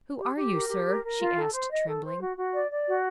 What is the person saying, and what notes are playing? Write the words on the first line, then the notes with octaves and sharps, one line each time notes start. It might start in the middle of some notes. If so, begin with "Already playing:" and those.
"Who are you, sir?" she asked, trembling.
G4
G4
A#4
G4
A#4
A#4
F4
A4
C5
D#5
A4
C5
F#4
F#4
D5
D5
F#4